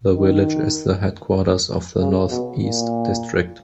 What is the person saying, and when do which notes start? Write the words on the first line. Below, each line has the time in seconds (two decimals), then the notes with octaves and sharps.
The village is the Headquarters of the North East District.
0.15 D#3
2.00 C#3
2.31 B2
2.62 A#2